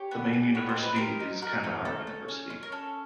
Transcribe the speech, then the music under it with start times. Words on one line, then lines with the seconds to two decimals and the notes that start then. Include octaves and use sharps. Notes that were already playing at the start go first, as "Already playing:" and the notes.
The main university is Kandahar University.
Already playing: G4 C#5
0.11 B3
0.33 G4
0.55 B3 C#5
0.69 C5
0.76 D#4
0.83 B4
0.96 G4 A#4 C5
1.20 D#4
1.42 F#4 A#4
1.64 C#4
1.85 A4
2.07 C#4
2.28 C#4
2.50 C#4
2.63 A#4
2.72 C#4 A4